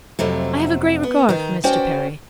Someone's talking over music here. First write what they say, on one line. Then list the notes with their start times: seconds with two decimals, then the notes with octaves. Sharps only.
I have a great regard for Mr. Perry.
0.19 F2 C3 F#3 A3
1.03 B3
1.29 D#3 D#4
1.64 C#4 F#4 C5 D5 G5